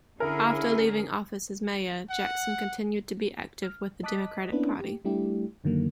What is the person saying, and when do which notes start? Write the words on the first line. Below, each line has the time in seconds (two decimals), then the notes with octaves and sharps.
After leaving office as mayor, Jackson continued to be active with the Democratic Party.
0.20 D3 C#4 E4 G#4 A#4
2.10 F#5
3.63 F6
4.03 D#5 A5 D6 D#6 F#6 B6
4.52 A#3 B3 C#4 D4 E4 B4
4.80 G4
5.05 G3 A3 D4 E4 G4
5.64 F#2 D3 D#3 F#3 A#3